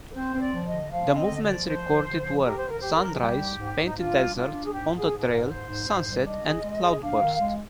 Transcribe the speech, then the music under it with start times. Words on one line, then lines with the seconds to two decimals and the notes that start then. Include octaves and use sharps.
The movements recorded were "Sunrise", "Painted Desert", "On the Trail", "Sunset", and "Cloudburst".
0.10 A#4
0.15 C4 C5
0.34 C4
0.40 D5
0.53 F3
0.65 D#5
0.72 D3
0.91 F3 F5
1.11 C4
1.17 D#5
1.29 D3
1.42 D5
1.48 F3
1.67 F3 C5
1.87 F3
2.06 D3
2.24 F3
2.43 G4 A#4
2.57 C5
2.62 D3
2.69 A#4
2.81 G4 C5
2.94 A#4
3.01 F3
3.14 G#4
3.19 G3 G4
3.38 G#2
3.58 G#2
3.77 G#2
3.85 D#4
3.96 D4 F4
4.15 G3
4.34 D4 F4
4.53 D4
4.65 G#4
4.72 G#2 G4
4.92 G#2
4.98 G#4
5.11 G#2
5.18 G#4
5.23 A#4
5.29 G#2
5.44 A#4
5.49 G#2 C5
5.68 G#2
5.88 G#2
6.06 G3
6.25 D4 D#5
6.44 G#4
6.63 G#3
6.83 G#4
7.02 D4 F5
7.20 D#3
7.40 G#3